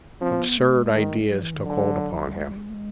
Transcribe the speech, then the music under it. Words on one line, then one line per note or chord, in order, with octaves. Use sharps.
Absurd ideas took hold upon him.
F3 C4
B3
A3
G#3
D#3
F#3
E3
D#3
D3 F#3
G3
G#3
G3
G#3
A3
G#3